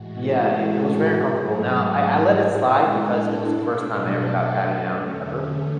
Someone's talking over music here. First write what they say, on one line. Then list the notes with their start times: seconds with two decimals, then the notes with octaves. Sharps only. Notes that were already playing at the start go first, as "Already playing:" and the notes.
Yeah, it it was very uncomfortable, now, I I let it slide because it was the first time I ever got patted down, ever.
Already playing: A2 E3 G#3 F#4
0.17 A4
0.78 G#4
1.08 G#2 F#3 A3
1.39 F#4
1.99 D4
2.31 A2 G#3 E4
2.60 A4
2.92 D4
3.53 B2 F#3 A3
3.82 A4
4.45 B4
4.75 E2 D3 A3 C#4